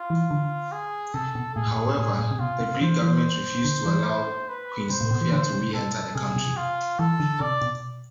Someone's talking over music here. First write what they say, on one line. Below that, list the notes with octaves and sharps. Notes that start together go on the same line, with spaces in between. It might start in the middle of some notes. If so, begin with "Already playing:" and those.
However, the Greek government refused to allow Queen Sophia to re-enter the country.
Already playing: F4
E3
D3
G#4
C3 A4
B2
A2 G#4
G#2
A2
B2
A2 G#4
A2
C3
B2 F4
C3
E3 C5
E3
D3
E3
B4
C3 C5
A2
B2
E3
D3 C5
C3
B2 A4
C3 G#4
B2
C3
F4
E3 A4
D3
C3 D5
B2